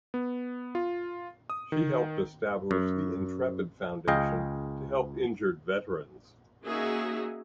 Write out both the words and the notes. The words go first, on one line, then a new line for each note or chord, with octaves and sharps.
She helped establish the Intrepid Foundation to help injured veterans.
B3
F4
D#6
D#3
F#2
C#2 G#4 D#5 F5 G5
A#3 C#4 D#4 F#4 G#4 E5